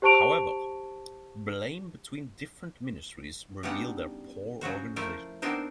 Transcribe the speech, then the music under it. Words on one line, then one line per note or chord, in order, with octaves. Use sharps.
However, blame between different ministries reveals their poor organization.
G4 C5 A5 C#6 D7 F7
C#3 G3 B3 D4 D#4 F#5
C#3 F#3 F#4 C5
F3 A3 E4 A#4 C5
B3 C4 D4 D#4 A#4 C5